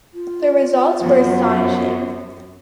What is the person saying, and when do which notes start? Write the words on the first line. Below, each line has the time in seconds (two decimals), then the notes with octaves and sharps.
The results were astonishing.
0.14 F4
1.02 F#2 C3 B3